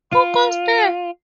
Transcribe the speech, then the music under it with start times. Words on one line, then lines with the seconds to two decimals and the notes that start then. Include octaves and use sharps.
Who goes there?
0.12 F4